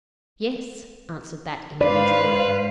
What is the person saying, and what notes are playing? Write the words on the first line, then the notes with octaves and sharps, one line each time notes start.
"Yes," answered that individual.
G#2 B4 C5 D5 F5